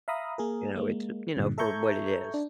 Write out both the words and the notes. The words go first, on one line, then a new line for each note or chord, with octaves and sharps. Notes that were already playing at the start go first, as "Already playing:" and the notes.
You know, it you know, for what it is.
E5 F5 A#5 B5 D#6
A#3 G#4 A#4
G#3 A#3
G2 A#2 D3
A4 E5 A#5 C#6 G6 G#6
D4